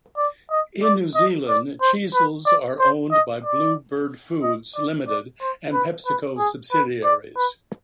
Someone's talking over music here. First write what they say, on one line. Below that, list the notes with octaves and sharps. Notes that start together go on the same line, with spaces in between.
In New Zealand, Cheezels are owned by Bluebird Foods Limited and Pepsico subsidiaries.
D5
D#5
D5
D#5
D5
C5
B4
D5
C5
D#5
D5
D#5
D5
D5
C5
B4
B4
G#4
B4
D5
B4